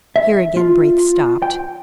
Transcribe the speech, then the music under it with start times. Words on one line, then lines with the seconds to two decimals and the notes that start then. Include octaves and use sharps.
Here again Braith stopped.
0.16 E5
0.57 F4
1.42 G5